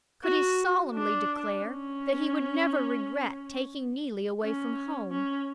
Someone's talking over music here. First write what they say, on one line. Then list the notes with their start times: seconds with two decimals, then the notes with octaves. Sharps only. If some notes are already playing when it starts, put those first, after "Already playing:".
Could he solemnly declare that he would never regret taking Neelie away from home?
0.24 F#4
0.94 D4
1.63 C#4
4.42 C#4
5.11 C#4